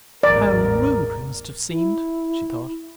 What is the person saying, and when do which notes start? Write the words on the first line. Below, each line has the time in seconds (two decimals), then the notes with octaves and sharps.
"How rude we must have seemed!" she thought.
0.23 A1 E2 G#2 A#4 D5
1.72 E4